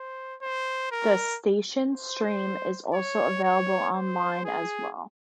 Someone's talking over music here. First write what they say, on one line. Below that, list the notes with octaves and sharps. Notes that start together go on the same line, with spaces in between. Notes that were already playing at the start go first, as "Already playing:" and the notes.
The station stream is also available online as well.
Already playing: C5
C5
A#4
C5
C#5
C#5
C5
G#4